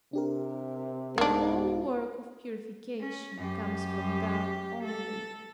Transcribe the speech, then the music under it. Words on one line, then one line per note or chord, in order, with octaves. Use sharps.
The whole work of purification comes from God only.
C3 D4 G4 A#4
C2 G#2 A#3 B3 D4 F5
C#4
F#2 G4
A4